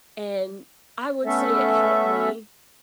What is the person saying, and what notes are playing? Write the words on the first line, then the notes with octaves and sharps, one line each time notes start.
and I would say it helped me
A3 B3 C#4 A4 E5